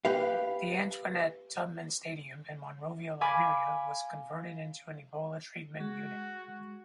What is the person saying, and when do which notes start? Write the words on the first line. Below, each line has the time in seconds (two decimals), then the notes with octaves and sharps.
The Antoinette Tubman Stadium in Monrovia, Liberia was converted into an Ebola treatment unit.
0.05 G4 B4 F5
3.21 F5 G#5 B5 D6
5.80 G#3 F#4